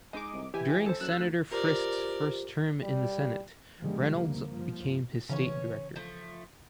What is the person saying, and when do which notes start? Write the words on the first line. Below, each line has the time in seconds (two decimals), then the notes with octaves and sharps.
During Senator Frist's first term in the Senate, Reynolds became his state director.
0.13 G#3 D#4 G#4 D#5 D6
0.34 C2
0.54 E3 G4 E5 G#5
0.86 A4 C5
1.00 F#2 E6 F#6
1.19 D2
1.51 F4 G4 A#4 C5 D5
2.83 G3
3.80 B2 D3 D#3 F3 G3 G#3
4.13 D2 D3 A#3
4.51 G2 F3
5.29 C#3 E3 C#4 C#5
5.96 F3 A3